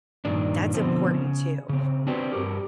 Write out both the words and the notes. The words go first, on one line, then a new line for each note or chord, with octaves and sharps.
that's important too.
G2 A#2 D#3 D4
B2 D3 F3 C4
C#3
C#3 C4
C4 D4 F#4 G4 B4 C5
G2 F#4 G4 A#4